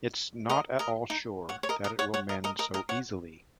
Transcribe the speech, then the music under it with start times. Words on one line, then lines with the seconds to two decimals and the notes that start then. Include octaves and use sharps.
It’s not at all sure that it will mend so easily.
0.49 A#4 D#5
0.79 A#4 D#5
1.10 D#4
1.49 C#5 F#5
1.63 C#5
1.69 A#4 D#5
1.84 A#4 D#5
1.99 C#5 F#5
2.14 C#5 F#5
2.29 A#4 D#5
2.44 A#4 D#5
2.59 A#4 D#5
2.74 A#4 D#5
2.89 C#5 F#5